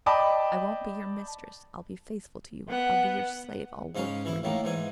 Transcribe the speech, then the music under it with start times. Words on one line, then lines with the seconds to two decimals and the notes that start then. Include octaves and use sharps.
I won't be your mistress, I'll be faithful to you, I'll be your slave, I'll work for you.
0.06 D5 D#5 G5 A5 B5 D6
2.69 B3 F#5
3.95 G#2 C#3 C#4 F5
4.25 E3 E4
4.43 A2 D#3 A#3
4.64 G#2 E3 G#5